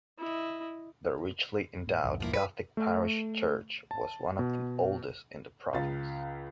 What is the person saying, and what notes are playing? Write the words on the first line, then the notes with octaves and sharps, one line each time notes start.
The richly endowed Gothic parish church was one of the oldest in the province.
E4 D#5
A2
B1 E2 G2
F3 A#3 E4
B4
A3
A5
B2
C#2 C#3 F5 A6